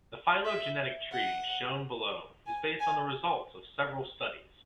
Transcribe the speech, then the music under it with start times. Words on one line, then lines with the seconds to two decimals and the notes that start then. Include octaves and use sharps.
The phylogenetic tree shown below is based on the results of several studies.
0.45 E5
1.12 F#5
2.46 G#5
2.80 G#5